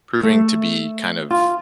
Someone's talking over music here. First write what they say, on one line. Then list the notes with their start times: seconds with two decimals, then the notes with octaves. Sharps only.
proving to be kind of
0.23 A3
1.31 F4